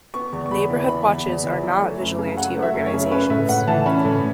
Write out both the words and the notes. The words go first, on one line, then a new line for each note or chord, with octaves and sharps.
Neighborhood watches are not vigilante organizations.
B3 C#6
E2
C#6
E2 B5
E3
B3 B5
E2
E2
E3
F#3
A3
F#2
C#3
F#3 F#5
A3
E5
F#2
C#5
C#3
C#4 B4
A2 E5
A2 F#5
E3 A5
C#4 B5
A2